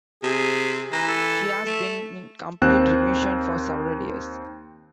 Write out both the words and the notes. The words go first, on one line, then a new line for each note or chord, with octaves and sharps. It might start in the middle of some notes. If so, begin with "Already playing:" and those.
She has been in complete remission for several years.
C3 G#4
E3 A#5
A4
A3
D#2 C4 F#6 E7